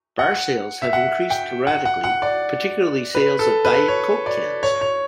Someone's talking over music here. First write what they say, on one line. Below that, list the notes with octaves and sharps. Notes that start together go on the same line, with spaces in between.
Bar sales have increased dramatically, particularly sales of Diet Coke cans.
F#5
E5
F#5
G5
F#5
F#5
F#5
D5
B4
A4
B4
C#5
D5
C#5
C#5